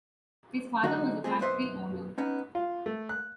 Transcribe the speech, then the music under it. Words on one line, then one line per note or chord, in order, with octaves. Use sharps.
His father was a factory owner.
D3 F#3 G#3 D#4 F#4
C3 F3 A3 C4 G#4
B1 F#2 B3 C5 E5
B3 C#4 D#4
F4
A3
F#6